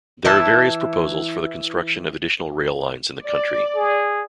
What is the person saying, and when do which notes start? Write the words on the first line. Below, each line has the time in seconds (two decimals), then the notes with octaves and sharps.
There are various proposals for the construction of additional rail lines in the country.
0.25 E3 E4 A5
3.25 D5
3.75 G#4